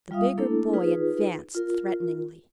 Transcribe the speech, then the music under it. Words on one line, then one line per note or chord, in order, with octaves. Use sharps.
The bigger boy advanced threateningly.
G3 F4 E5 F5 D#6
A3 A#3 D4 E4 A4
D#4 F4 G#4 B4
F4 A#4